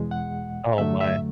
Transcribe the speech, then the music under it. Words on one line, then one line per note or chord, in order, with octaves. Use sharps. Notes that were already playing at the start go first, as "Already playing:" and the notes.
Oh, my.
Already playing: E2 B2 G#3
F#5
E2 D3 F#3 A3 E5
E5